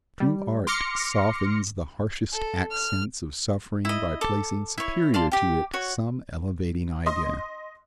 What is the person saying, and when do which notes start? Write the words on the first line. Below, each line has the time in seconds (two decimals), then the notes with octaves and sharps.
True art softens the harshest accents of suffering by placing superior to it some elevating idea.
0.20 G3
0.67 C6 D6 F6 A#6 C#7
2.33 A4
2.72 F6
3.85 E4 D#5
4.21 A4 D6
4.78 E4 C#5
5.14 D5 F5 A5 C6
5.32 G4 G5
5.73 F#4 C#5
7.06 D#5 C6 D#6